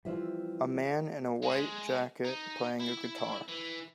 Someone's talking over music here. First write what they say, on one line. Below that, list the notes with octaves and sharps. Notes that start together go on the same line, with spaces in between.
A man in a white jacket playing a guitar.
E3 F3 G3 C4 F4 E5
G#3
D#4
E4
E3